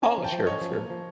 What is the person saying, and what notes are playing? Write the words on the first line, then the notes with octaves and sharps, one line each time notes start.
Oh, sure, sure.
C#4 G#5 A#5
F3
G5 A5
F3
C#4 C#5 D#5
F3
A#3
F3